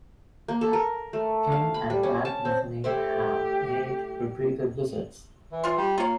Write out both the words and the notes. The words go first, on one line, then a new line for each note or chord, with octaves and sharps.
King and Pat Metheny have made repeated visits.
A#3
A4
A#4
A3
F5
B5
G3
C#4
A5
C4
A3 E4 G4 C5
E3
F4 F5 C6
G3
A#3 F4 C#5